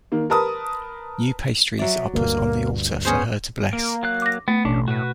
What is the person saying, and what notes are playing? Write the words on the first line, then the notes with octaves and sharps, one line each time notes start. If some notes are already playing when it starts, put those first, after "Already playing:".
New pastries are put on the altar for her to bless.
D#3 A#3
A#4 B4 A5 D#6
F#3 D5 E5
D2 G2 A#3
B3 C#4 G#4 C5
A#3 A#4
F#3 F5 F#6
D6 A#6
A3 B3
A1 B2 C#4 D4
A2 F#4 B4